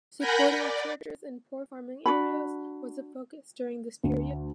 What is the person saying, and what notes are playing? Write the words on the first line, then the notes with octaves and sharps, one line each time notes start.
Supporting churches in poor farming areas was a focus during this period.
A#4 F#5 G#5 B5 G6 A#6
D5
D4 F4 F#4 B5
D2